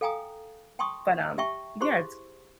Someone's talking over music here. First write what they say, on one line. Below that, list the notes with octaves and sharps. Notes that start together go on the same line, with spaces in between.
but, um Yeah, it's
A4 F5 G5 G#5 A#5 D#6
G5 A5 C6 C#6 D#6
G4 E5 G5 A5 C#6
E4 G4 G#4 C5 C6 C#6